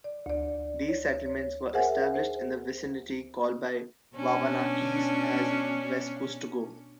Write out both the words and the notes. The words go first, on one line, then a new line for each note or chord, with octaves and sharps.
These settlements were established in the vicinity, called by the Wabanakis, as "Wescustogo".
D5
D2 D5
C#5
C#5
G#4 A#4 C5 E5 F#5 G#5
C5
B2 C#4 D4